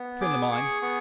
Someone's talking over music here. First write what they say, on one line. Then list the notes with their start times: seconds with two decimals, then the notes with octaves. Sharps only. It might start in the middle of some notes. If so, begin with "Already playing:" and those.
Friend of mine.
Already playing: B3
0.21 G#4 D6
0.51 G#4 C#6
0.82 B3 C#6